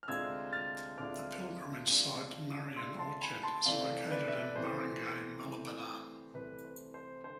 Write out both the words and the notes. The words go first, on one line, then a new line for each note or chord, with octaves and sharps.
The pilgrimage site "Marian Orchard" is located in Barangay Malabanan.
F6
D2 C3 G#3 D4 F4 E6 G#6
F6 A6
D2 C3 G#3 D4 F4 D6 F6
D2 C3 G#3 D4 F4
D2 C3 G#3 D4 F4 C6 E6
A5 C6
G#5 B5
A5 C6
C2 C3 E3 A3 E4 D5 F5
B4 D5
E5
D5
C2 C3 E3 A3 E4 C5
C2 C3 E3 A3 E4
C2 C3 E3 A3 E4 B4
C5
C5
D3 C5